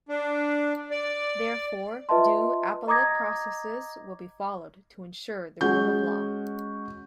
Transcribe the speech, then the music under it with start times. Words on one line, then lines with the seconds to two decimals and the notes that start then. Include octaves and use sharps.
Therefore due appellate processes will be followed to ensure the rule of law.
0.09 D4
0.91 D5
2.09 F4 B4 D#5 E5 A5 C6
2.87 D#5 A#5 D6 D#6 G#6 A#6
5.61 G#3 C#4 F#4 G6